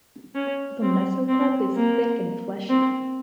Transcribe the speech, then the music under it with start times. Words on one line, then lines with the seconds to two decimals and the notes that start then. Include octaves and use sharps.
The mesocarp is thick and fleshy.
0.35 C#4
0.82 C4
1.28 C4
1.76 A#3
2.69 C4